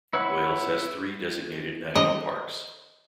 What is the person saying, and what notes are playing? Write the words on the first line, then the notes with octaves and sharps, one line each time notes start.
Wales has three designated national parks.
E4 B4 C#5 F#5 B5
D#5